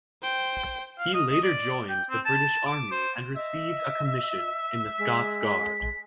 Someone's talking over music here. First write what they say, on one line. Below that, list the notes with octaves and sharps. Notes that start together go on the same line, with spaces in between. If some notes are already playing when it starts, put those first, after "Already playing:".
He later joined the British Army and received a commission in the Scots Guard.
C5 G5
F5
D#5
D#5
D5
G5
C4
A5
D6
C5
D#5 E5
G#3 B6